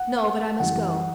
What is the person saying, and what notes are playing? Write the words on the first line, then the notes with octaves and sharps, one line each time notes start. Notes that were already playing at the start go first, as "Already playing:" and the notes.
"No, but I must go."
Already playing: F#5
F#2 E3 G3 F#5